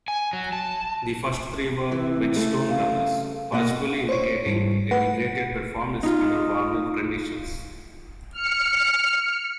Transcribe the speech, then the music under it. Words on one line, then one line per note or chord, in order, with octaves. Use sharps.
The first three were Bridgestone runners, possibly indicating a degraded performance under warmer conditions.
G#5
F#3
A5
C3 E3
C#3 A3
F5
B2 A#3 D#5 F#5
C5 C#5
G#2 G3
A3 B4 F#5
D#4 F4
F6 C#7